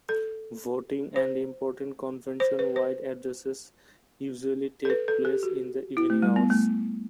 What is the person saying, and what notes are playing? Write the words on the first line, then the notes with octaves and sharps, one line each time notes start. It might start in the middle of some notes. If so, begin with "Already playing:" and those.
Voting and important convention-wide addresses usually take place in the evening hours.
A4
C5
C5
B4
C5
A4
B4
A4
G4
F#4
E4
A3
G3
B3
A3